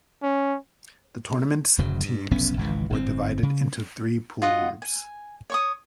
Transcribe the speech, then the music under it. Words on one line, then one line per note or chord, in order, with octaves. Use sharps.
The tournament's teams were divided into three pool groups.
C#4
D1 F#2 C#3 F#3
G2
F1 B1 B3 C#4
G#1 C#2 E3
G1 A2 C4
C#3
F4 F#4 D#5 F#5
G#5
C#5 C#6 D#6